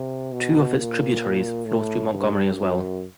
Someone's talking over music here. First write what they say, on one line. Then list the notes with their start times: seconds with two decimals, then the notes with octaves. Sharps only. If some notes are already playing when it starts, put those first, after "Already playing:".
Two of its tributaries flow through Montgomery as well.
Already playing: C3
0.32 B2
0.77 A#2
1.67 A2
2.12 G2
2.57 F#2